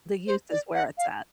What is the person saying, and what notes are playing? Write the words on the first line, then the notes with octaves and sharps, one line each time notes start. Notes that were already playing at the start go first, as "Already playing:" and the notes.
The youth is where it's at.
C5
D5
F#5
F5